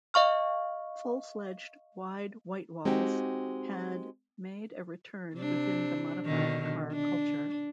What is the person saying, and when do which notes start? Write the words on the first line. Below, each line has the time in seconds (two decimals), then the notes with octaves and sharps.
Full-fledged wide whitewalls had made a return within the modified car culture.
0.14 D#5 F5 C#6 F6
2.85 G#3 C4 D#4 F#4 G4
5.35 C3 D4
6.25 B2 D3 D#3
6.92 D4